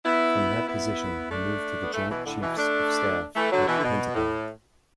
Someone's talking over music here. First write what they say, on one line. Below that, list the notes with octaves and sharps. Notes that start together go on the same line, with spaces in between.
From that position he moved to the Joint Chiefs of Staff at the Pentagon.
B3 E4
B3 E4
A3 D4
B3
E3 A3
B2 E3
A2 D3
B2 E3
A3 D4
E3 A3
D3 F#3
B2 E3
D3
B2
A2